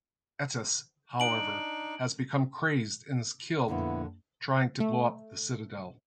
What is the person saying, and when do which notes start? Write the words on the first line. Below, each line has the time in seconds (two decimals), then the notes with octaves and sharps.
Ettis, however, has become crazed and is killed trying to blow up the Citadel.
1.20 D4 D#4 D7 F#7
3.68 F2 A#2 D3 B3 E4
4.80 A3